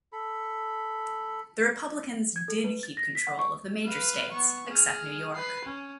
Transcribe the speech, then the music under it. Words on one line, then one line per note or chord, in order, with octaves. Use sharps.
The Republicans did keep control of the major states except New York.
A4 B5
G#6
A4
B4
A6
A#6
B6
F#5
C#6
B4 F5
B3 C#6
G#4 F6
B4 C7
C#4